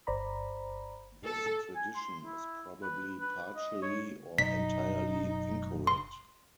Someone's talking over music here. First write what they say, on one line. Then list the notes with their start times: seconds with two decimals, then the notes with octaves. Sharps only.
This tradition is probably partially or entirely incorrect.
0.07 G1 C5 D5 A#5 B5
1.25 A4
1.75 G#5
1.96 C6
2.24 E4
2.83 B4
3.20 B4
3.56 D#5
3.82 C#5
4.38 F#1 B2 F#3 D#4 B6
5.87 C6